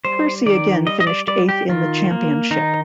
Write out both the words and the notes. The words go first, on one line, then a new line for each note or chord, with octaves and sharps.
Percy again finished eighth in the championship.
G3 C5
D#3 D5
G3 D#5
D#5
D5
G3 D5
G4
D#3 F4
A#3
D#3 D#4